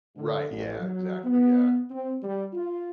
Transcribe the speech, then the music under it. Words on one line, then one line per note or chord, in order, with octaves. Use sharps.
Right, yeah, exactly, yeah.
D3
A1
F#3
B3
C4
G3
F4